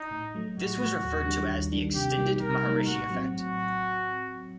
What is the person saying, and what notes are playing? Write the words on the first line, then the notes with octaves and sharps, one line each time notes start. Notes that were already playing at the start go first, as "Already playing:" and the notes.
This was referred to as the "Extended Maharishi Effect".
Already playing: D#4
A2
F#3 A3
A2 F#4
F#3 A3
D#2
D#3 G3 D4
D#2
D#3 G3 D4
C3 G4
G3 A#3 D#4
C3 A#4
G3 A#3 D#4
A2 F#4
F#3 C4
A2 F#4